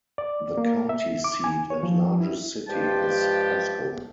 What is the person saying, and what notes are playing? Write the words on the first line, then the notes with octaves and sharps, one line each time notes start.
The county seat and largest city is Pasco.
D5
A#3
E5
D6
G#5
C#5
F3
E4
G2 F3 G#3 G4 G5 A5